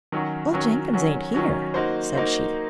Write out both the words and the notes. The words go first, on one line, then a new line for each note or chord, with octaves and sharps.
"Old Jenkins ain't here," said she.
D#3 F#3 C#4 F#4
D#3 F#3 C#4 F#4
D#3 F#3 C#4 F#4
D#3 F#3 C#4 F#4
A#3 D#4 F#4 C5
A#3 D#4 F#4 C5